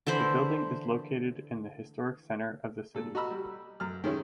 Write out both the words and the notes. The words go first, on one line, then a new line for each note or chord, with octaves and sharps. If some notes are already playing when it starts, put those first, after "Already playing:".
The building is located in the Historic Center of the city.
D3 E3 C5 B5
A#2 A4
F#4 D#5 A#5 B5 E6
G3
F#2 F6
D#3 G#3 C#4 E4